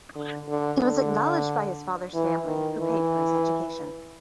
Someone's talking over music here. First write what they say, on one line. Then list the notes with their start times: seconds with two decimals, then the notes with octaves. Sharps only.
He was acknowledged by his father's family, who paid for his education.
0.15 D3
0.48 D3
0.81 D3
2.14 E3
2.46 D#3
2.79 E3